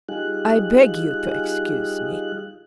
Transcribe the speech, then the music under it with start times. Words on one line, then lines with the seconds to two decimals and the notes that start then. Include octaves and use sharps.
I beg you to excuse me...
0.09 G3 D#4 F4 G4 G#4 F#6